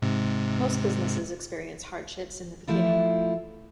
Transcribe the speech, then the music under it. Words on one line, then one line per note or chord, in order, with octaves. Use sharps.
Most businesses experience hardships in the beginning.
G#2 C3
F3 A3 E4 F4